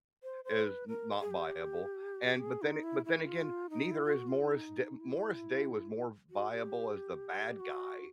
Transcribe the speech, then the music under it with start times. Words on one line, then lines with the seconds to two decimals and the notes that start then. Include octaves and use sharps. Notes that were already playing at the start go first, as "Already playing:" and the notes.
is n not viable, and but then but then again, neither is Morris D Morris Day was more v viable as the bad guy
0.23 C5
0.45 C5
0.66 B4
0.88 A#4
1.21 G#4
1.31 G4
2.40 G#4
2.62 D#4
2.83 E4
3.05 E4
3.27 F4
3.70 D#4
3.91 E4
4.05 F4
4.13 F#4
4.28 F4
4.42 D#4
5.00 E4
6.30 F#4
6.52 G4
7.60 F#4